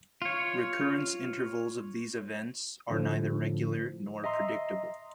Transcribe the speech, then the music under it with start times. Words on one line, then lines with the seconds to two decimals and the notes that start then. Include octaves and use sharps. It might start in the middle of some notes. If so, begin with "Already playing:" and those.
Recurrence intervals of these events are neither regular nor predictable.
0.22 F4 C#5
2.90 A2 D3 F3
4.24 D#5 E5 A#5 C6